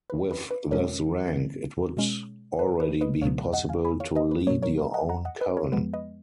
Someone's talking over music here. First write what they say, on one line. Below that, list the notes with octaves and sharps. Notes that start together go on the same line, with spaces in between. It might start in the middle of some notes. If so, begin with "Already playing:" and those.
With this rank, it would already be possible to lead your own coven.
B4
B4
B4
B2 G#3 C#4 A#4 C#5
B2 G#3 C#4
B4
B4
B4 D#5
C#2 B2 F#3 B3 C#5 F5
D#5 F#5
F5 G#5
G#5 B5
C#5 F5
B4 D#5
B4
B2 F#3 A#3 A#4 C#5
A#4 C#5
A#4
D#5 F#5
F#5 A#5
D#5 F#5
B4 D#5
A#4 C#5
F2 F3 G#3 B3 B4
B4 D#5